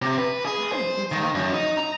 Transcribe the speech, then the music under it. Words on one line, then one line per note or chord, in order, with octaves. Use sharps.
Right, exactly.
C3
B4
G#4
C5
D#3
F#2
D#4
A#5